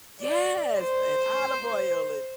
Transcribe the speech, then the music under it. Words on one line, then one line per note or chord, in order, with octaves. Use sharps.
Yes! And Olive Oyl and
D5
C5